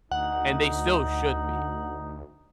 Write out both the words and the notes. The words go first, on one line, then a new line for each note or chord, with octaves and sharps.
and they still should be
D2 D#4 F#5